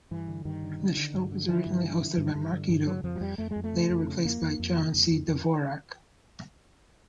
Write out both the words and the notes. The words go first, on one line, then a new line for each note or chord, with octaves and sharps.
The show was originally hosted by Mark Eddo, later replaced by John C. Dvorak.
G2 E3
D3
G2 D#3
D3
D3
D3
G2
D3
D3 E3
G2
D3
D3
G2
G2
D3
G2
C#3 F#3
F2 F3
F#3
F2 G3
F2 A3
G#3
F2
A3
C#3
F2
C#3
F2 A#3
F2
F2
C#3
F2
F2
F2